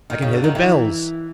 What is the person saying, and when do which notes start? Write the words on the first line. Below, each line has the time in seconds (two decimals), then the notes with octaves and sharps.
I can hear the bells!...
0.10 D#3
0.22 C#3
0.33 D3
0.44 D#3
0.55 E3